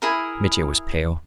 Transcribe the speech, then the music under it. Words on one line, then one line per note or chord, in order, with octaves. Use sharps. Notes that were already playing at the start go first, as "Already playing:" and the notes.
Mitya was pale.
E4 G#4 A#4